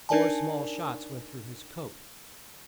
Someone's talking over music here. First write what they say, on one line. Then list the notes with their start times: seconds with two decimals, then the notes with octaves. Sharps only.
Four small shots went through his coat.
0.09 D4 D#4 A#4 D5 G#5 A5